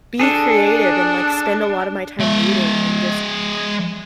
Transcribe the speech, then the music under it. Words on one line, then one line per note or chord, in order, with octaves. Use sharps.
be creative and, like, spend a lotta my time reading and just
D4 G#4 A4
G#3 E5